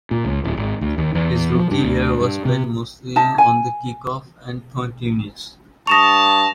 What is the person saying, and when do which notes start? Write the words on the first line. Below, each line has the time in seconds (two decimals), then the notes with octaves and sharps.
His rookie year was spent mostly on the kickoff and punt units.
0.11 A#2
0.25 C#2
0.44 D1
0.57 G#1
0.81 D2
0.98 D#2
1.15 E2
1.55 F3
1.71 G2
1.84 D2
2.21 G2
2.45 C3
3.16 D#4 E5 A5
3.38 G#5
5.87 G2 A5 C#6 D#6 A#6 E7 F7